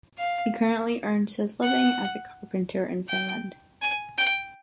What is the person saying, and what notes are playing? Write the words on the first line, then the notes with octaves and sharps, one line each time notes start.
He currently earns his living as a carpenter in Finland.
F5
F#5
G5
G#5
G5